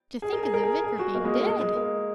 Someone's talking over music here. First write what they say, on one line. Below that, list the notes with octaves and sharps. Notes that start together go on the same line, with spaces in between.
To think of the Vicar being dead!
G#4
A#4
G#4
A#4
G#4
G#4
F#4
A#3
G#3
A#3
G#3
G#3
A#3